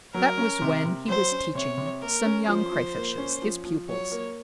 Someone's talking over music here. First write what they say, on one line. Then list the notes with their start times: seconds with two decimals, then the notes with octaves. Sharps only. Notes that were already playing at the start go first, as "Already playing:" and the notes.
That was when he was teaching some young Crayfishes, his pupils.
0.14 F#3 A#4
0.37 C#4
0.62 C3
0.85 C3
1.08 F#3 C5
1.32 C#4
1.55 C3 C#5
1.78 C3
2.01 A#3 A#4
2.25 C#4
2.48 F3 C5
2.71 F3
2.95 A#3
3.18 C#4
3.42 F3
3.65 F3
3.89 F#3 C#5
4.12 A#3